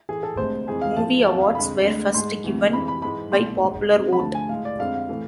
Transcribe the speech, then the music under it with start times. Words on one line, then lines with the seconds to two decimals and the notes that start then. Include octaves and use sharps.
Movie awards were first given by popular vote.
0.09 A2 E3 A3 G#4
0.23 A4
0.37 D2 C3 G#3 C5
0.67 F2 E3 G#3 G#4
0.82 F5
0.96 A2 F3 A3 A5
1.26 E2 C3 F3 A5
1.41 F5
1.55 F2 D3 G#3 B5
1.85 D2 D3 G#3
2.14 G#2 G#3 C6
2.44 D2 C3 E3
2.73 F2 E3 G#3 B5
2.88 B5
3.02 G#2 E3 G#3 B5
3.32 C2 B2 A3 C6
3.62 G#2 G#3
3.91 C2 C3 G#3
4.13 B5
4.20 D2 D3 F3 A5
4.35 G#5
4.49 A2 G#3 F5
4.65 D5
4.79 F2 D3 G#3 F5
5.09 A2 E3 A3